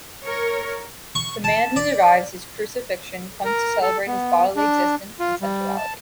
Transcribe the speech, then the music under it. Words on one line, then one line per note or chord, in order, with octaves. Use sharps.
The man who survives his crucifixion comes to celebrate his bodily existence and sensuality.
A#4 C#5
C#6
A5
D5
A#4
A4
B3
D4
F4
G3
A5